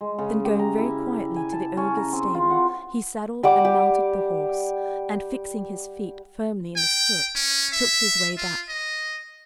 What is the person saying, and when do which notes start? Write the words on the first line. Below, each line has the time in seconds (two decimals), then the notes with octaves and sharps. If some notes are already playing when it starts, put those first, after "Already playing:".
Then going very quietly to the ogre's stable, he saddled and mounted the horse, and fixing his feet firmly in the stirrup, took his way back.
0.01 G#3
0.19 C#3
0.45 G4
0.59 A#5
0.78 E4
1.36 G#5
1.52 A5
1.77 C#4
1.97 A#5
2.13 C4
2.35 F4
2.50 F#5
3.43 G3 F#5 D6
3.65 G4
6.77 G5
7.35 C#4
7.73 E5
8.37 F4
8.69 D#5